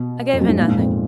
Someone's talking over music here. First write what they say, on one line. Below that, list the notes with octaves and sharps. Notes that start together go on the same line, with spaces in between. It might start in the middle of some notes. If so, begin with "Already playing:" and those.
'I gave her nothing.
Already playing: B2
F2
F#2
G#2
A#2
G#2
F2